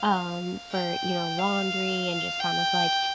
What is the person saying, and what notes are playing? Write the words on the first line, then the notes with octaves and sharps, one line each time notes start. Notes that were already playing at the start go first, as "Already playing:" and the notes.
um, for, you know, laundry and just kind of, like,
Already playing: F5
G5
F5
G5